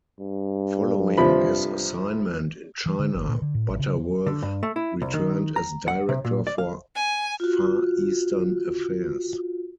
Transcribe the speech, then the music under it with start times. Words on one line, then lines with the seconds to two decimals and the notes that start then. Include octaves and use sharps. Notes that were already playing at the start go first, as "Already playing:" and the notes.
Following his assignment in China, Butterworth returned as director for Far Eastern Affairs.
0.20 G2
1.18 C3 F3 B5
2.86 E3
2.99 D3
3.14 G1
3.28 A#2
3.42 D3
3.55 A2
3.68 A1
3.79 C#3
4.26 D3
4.42 G2
4.63 A3
4.76 E4
5.02 C2
5.14 D#3
5.56 A#5
5.88 F#5
6.09 C3
6.25 A#2
6.47 D5
6.58 F5
6.95 G#5
7.40 F4 F#4